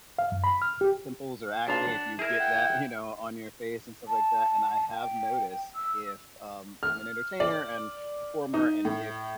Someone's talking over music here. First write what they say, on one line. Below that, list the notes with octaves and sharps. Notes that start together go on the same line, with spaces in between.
pimples or acne, if you get that, you know, on your face and stuff like that, and I have noticed if, um I'm an entertainer and performer, and if
F5
F#2
B5
F6
G4
B1 A#2 D4 F5
F#5
E4 G#4 A#4
F#5 G5
A5
G5
E6
F6
D5
D#4
A2